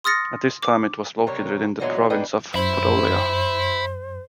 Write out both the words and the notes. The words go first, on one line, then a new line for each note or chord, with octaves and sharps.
At this time it was located in the province of Podolia.
C6 D#6 F6 A6 A#6 C#7
D6
C3 G3 A#4 C#5
A#2 D3 E3 F#3 G#3 B3
E2 D4 D#4 G#4 B4 G5
F#2 C5 E5 B5